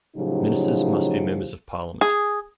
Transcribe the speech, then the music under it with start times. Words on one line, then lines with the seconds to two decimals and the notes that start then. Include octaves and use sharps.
Ministers must be members of parliament.
0.17 A2 C#3 F3 F#3 D#4 G4
2.01 G#4